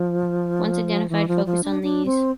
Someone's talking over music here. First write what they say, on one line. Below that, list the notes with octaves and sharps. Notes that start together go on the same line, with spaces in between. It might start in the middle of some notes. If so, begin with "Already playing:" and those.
Once identified focus on these.
Already playing: F3
E3
F3
F3
D4
D4
C4